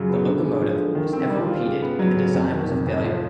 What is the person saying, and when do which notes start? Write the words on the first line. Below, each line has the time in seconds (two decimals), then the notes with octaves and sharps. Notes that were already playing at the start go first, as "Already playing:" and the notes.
The locomotive was never repeated and the design was a failure.
Already playing: F#2 C#3 F#3 F4
0.09 B3
0.26 D3
0.44 G#3
0.61 F3
0.78 D3
0.95 D#3
1.13 C4
1.30 G3
1.48 F4
1.65 C#3
1.82 B3
1.99 F#3
2.17 C#3
2.34 F2
2.51 D#3
2.69 C3
2.87 F2
3.04 F3